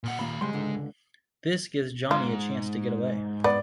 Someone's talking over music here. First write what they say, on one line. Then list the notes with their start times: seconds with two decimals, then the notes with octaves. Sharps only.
This gives Johnny a chance to get away.
0.04 A#2 F#5
0.19 D#2 A#2 A#3 B5
0.41 G#2 C#3 G3 G#3 C6
0.53 C#2 D3
2.11 G#2 F4
3.44 B3 D5